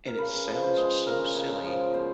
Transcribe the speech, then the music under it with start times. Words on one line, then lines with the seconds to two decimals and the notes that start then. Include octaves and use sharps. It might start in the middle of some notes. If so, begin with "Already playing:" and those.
And it sounds so silly,
0.08 A#4
0.18 C#3 B4
0.47 F3
0.52 B4
0.63 C5
0.77 G#3
1.06 C#3 A#4
1.35 C#3
1.65 F3
1.94 B2 C5